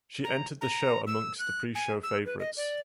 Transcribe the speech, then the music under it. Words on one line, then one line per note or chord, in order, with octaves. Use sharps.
She entered the show amongst the pre show favourites.
A#5
A#5
E6
F#6
G#5
E6
B4
D#5
D5